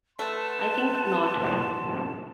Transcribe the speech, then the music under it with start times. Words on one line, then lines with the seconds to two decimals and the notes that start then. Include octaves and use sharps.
I think not.
0.19 A3 B4 F#5 A5 C6